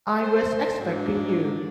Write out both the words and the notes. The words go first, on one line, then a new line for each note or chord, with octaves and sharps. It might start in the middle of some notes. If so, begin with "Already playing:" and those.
I was expecting you.
C5
G#2 F#3 G#3 A#3 D4